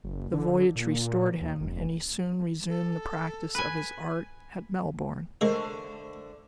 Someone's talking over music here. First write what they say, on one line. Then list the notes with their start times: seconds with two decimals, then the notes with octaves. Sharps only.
The voyage restored him, and he soon resumed the practice of his art at Melbourne.
0.04 F#1
0.33 D3
0.75 A#2
1.41 D#2
1.60 F1
2.69 A4
3.55 B4 G#5
5.41 D3 G#3 A3 A#4 C5 E5